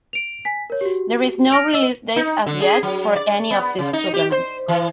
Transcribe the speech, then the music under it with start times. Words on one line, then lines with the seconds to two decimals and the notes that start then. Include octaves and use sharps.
There is no release date as yet for any of these supplements.
0.13 D7 F7
0.45 G#5 B6
0.70 A#4 C#5
0.81 F#4 G4
1.51 F6 A#6 D7 F7
1.73 D#5 E6
2.16 D#4
2.47 D3
2.62 G#4
2.83 F#3
3.16 D5
3.51 B3
3.79 C#3
3.93 D#4
4.14 G4
4.32 C5
4.68 E3